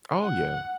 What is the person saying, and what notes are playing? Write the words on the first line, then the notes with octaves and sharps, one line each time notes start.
Oh, yeah,
F#5